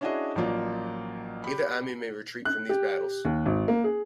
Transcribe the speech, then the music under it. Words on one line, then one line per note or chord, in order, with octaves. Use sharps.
Either army may retreat from these battles.
C#4 D4 E4 F#4 G#4 D#5
A1 F3 F#3 A#3 F4 D5
G4 B5
F#6
G4
D#2
G#1
A#3
G#4